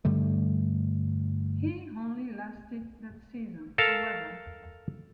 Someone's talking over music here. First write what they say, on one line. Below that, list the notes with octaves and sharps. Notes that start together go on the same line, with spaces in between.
He only lasted that season, however.
G2 D3 G3 A3
A4 A#4 F5 A5